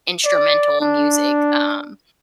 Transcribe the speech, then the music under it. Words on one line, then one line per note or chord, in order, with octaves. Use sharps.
instrumental music, um,
D5
D4